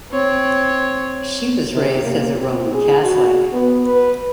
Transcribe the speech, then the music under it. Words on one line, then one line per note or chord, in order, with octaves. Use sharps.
She was raised as a Roman Catholic.
C4 C#5
C3
A#3
C4
G#4
F#4
B3
B4